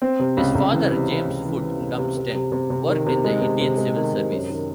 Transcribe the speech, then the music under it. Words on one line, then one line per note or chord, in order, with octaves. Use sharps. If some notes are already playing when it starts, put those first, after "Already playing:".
His father, James Foot Lumsden, worked in the Indian Civil Service.
C4
C3
C#2
C#2
E3
C3
C4
C#2
E3
E3
C3
C3
C3
C3
C3
C3
D#3
C3
G#3
C3
C3
G#3
D#3
C3
F#2
D#3